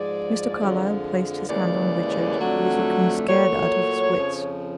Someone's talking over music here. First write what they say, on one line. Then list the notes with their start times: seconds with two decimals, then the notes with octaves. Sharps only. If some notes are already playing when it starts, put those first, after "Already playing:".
Mr. Carlyle placed his hand on Richard, who was looking scared out of his wits.
Already playing: G#2 F3 G#3 D5
0.58 F2 D3 F3 G#3
1.48 D#2 C#3 E3 G#3 D5
2.38 F2 D3 F#3 A3
3.27 A#2 F#3 A3 C#5
4.17 F2 C#3 F3